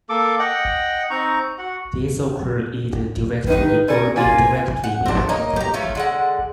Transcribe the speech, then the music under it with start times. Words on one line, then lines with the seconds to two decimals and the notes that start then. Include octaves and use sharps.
These occur either directly or indirectly before a verb.
0.09 A#3 A4 D6
0.39 D#5 F#5 G5
1.10 C4 D#4 A#5 C#6
1.58 F#4 F#5
3.47 D#3 D#4 B4
3.88 C#4 A4 A#4 D5
4.16 A#3 F4 C5 G#5
4.84 F#5
5.06 C4 D4
5.29 A#3 C#5 D#5
5.56 G4 A#5
5.74 A3 C#4 F4
5.95 D3 G#3 F#5